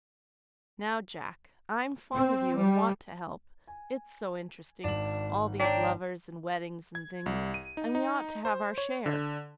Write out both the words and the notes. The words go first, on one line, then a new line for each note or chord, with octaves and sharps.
Now, Jack, I'm fond of you, and want to help; it's so interesting--all these lovers and weddings and things, and we ought to have our share.
C4
G3
G#5
G#1 D4 F#7
D4 C#5 G5 A#5
G#6
C2
D#7
D#4
D#4
C5
C#5
D3